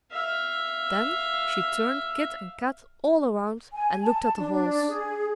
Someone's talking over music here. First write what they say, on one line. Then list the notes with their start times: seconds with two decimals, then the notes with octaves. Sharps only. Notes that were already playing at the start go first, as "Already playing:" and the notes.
Then she turned Kit and Kat all around and looked at the holes.
0.12 E5 F5
3.73 G#5
4.03 A5
4.38 D4
4.52 D4
4.88 G#4